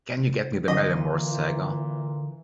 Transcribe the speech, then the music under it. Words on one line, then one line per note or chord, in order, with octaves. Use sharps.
Can you get me the Maldeamores saga?
A#2 D3 E3 D#5